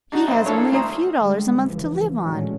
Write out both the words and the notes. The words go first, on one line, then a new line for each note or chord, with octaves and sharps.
He has only a few dollars a month to live on.
D4 D#4 F#4
A#1 C5 C6
F3 A#3 D4 E4 A4 C#5
D2 C5 A#5 D#6
D3 G3 G#3
C#2 E3 F3
A1 A#2 D3 F#3 G#3 C#4